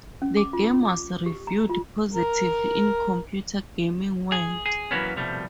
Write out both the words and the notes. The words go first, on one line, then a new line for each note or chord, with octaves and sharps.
The game was reviewed positively in "Computer Gaming World".
C#4
D6
F4
D6
G4
A#5
F4
A#4
G#4
G#4
E3 F#3 A#3 B3 C#4
C2 B2 F3 G3 A3